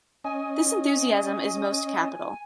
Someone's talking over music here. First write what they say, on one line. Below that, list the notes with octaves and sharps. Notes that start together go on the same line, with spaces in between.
This enthusiasm is most capital.
C#4 D#5 G#5